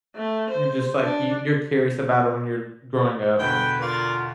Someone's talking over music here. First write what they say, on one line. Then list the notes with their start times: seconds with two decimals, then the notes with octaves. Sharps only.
Just like you you're curious about it when you're growing up, and
0.16 A3
0.51 C5
1.02 D4
3.39 E2 B2 D3 B4 G5
3.81 F4 A#4 D5